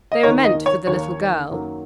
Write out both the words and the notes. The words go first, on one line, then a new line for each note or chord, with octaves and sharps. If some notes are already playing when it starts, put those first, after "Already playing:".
They were meant for the little girl.
D#5
D#2 D#3 A#3 C#5
D#5
C#5
D#2 D#3 A#3 C#5
F#2 D#3 F#3 A#3